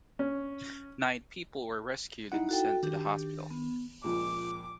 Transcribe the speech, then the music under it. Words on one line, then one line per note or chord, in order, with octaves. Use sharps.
Nine people were rescued and sent to the hospital.
C#4
D#4 E4 F#5
F#4 A4 G5
D#3 D4 G4
B3
C#2 A#2 F3 D6